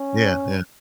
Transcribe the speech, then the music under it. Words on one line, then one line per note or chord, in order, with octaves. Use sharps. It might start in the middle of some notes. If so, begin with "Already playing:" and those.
Yeah, yeah.
Already playing: C#4